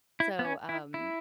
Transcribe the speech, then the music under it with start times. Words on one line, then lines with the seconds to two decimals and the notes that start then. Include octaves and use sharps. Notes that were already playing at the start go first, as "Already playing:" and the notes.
So, um
0.20 E4
0.39 B3
0.45 C#4
0.69 E4
0.94 E4